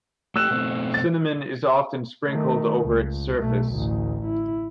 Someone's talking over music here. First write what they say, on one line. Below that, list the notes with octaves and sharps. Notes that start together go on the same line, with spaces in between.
Cinnamon is often sprinkled over its surface.
A3 G4 E6 F#6 E7
B2 A3 C4
A6
D#3 A3
C#2
B1 A3
A1 D2
E4